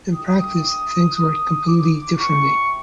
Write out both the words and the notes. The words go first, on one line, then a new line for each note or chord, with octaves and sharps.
In practice, things worked completely differently.
A3 D4 G4 D#6
D#6
D6
C4 E4 G4 C#6